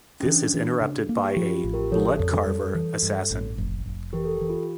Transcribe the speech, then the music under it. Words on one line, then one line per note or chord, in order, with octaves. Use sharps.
This is interrupted by a "Blood Carver" assassin.
C#4
E3 D4
E3
C#3
A#3
G4
F3 F4
F4
A1
G4 A#4
F3 A4 C#5
F2
G3
E3
G2
A1
F1
F1
E3 G4 A#4
A4
G4
E3
F4